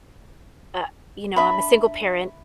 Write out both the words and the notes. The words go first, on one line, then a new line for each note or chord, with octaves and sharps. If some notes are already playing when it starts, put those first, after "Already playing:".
uh you know, I'm a single parent
D4 E5 B5